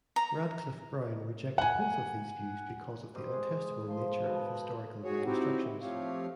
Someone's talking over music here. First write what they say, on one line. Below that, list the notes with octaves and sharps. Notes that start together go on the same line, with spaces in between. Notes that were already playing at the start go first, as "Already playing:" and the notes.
Radcliffe-Brown rejected both of these views because of the untestable nature of historical reconstructions.
A#5
F#5 G#5
G3 C5 D#5
G#3 G#4
F3 C6
B2 A4 D#5
B5
G#2 F#4 G#4 C#5
C4 D#4 E4 F#4 G4
F3 A3 C4 G4 C#5 F5